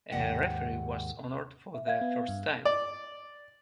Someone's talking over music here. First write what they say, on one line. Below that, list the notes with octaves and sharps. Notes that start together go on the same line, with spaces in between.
A referee was honored for the first time.
D#2 G#2 C3 G#3 F#5 G5
E5
E5 F5 G#6
B3
G2
D5